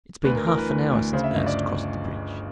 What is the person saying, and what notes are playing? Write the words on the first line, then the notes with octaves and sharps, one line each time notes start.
"It's been half an hour since Ernst crossed the bridge."
D2 B4
A#4
E3 A#4
B4
D2
D2
C#3 C5
E5
G1 D#5
D5